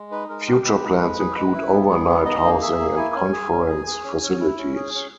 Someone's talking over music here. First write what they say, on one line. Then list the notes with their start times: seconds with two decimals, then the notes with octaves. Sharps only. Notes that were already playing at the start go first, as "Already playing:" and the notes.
Future plans include overnight housing and conference facilities.
Already playing: G#3
0.11 D#4 B4
0.29 G#3 A#4
0.47 G4 A#4
0.65 G#3 B4
0.83 D#4
1.00 G#3
1.18 G#4
1.37 G#3
1.54 E4
1.72 B3
1.90 G#4
2.08 B3
2.25 D#4 D#5
2.43 A#3
2.61 G#4 E5
2.79 A#3
2.97 E4 G#5
3.15 C#4
3.33 G#4
3.51 C#4
3.68 G#4
3.87 G#4
4.04 C#4
4.22 C#4
4.40 E4
4.58 C#4
4.76 G#4
4.94 C#4